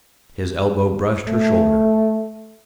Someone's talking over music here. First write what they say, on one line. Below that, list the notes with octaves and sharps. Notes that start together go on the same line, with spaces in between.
His elbow brushed her shoulder.
A3